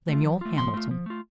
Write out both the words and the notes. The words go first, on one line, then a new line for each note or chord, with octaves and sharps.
Lemuel Hamilton.
A3 F4
F3
A3 F4
F3 C6
A3 F4
F3
A3 F4